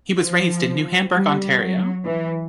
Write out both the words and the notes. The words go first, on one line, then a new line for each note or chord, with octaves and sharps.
He was raised in New Hamburg, Ontario.
F3
G3
F#3
E3